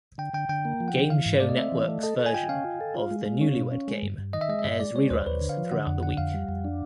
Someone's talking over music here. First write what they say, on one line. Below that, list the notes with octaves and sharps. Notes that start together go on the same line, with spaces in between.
Game Show Network's version of "The Newlywed Game" airs reruns throughout the week.
D3 G5
D3 G5
D3 G5
A#3
F3
F#5
D3
E3 F5
G#2
A3 D5
D#5
C4 E5
E3
A3
A4 D#5
A4
G#5
F4 G5
C#4 F5
F4
A4
F4
G#3
G#3
C#4
B2
C#4
G#3
G2
G2
D#3 D#5
E5
G#3 D#5
E5
G2 D#5
G#3 D5
G#3 C#5
D#2 C5
D#2 B4
D3
F5
F3
D3 F#5
F2 F#5
D3 F#5
F2 F5
G3
F2
D4